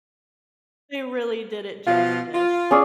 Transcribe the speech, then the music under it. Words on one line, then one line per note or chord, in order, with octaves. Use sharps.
They really did it justice.
B2 F3 F4
F4
C#4 G#4 D5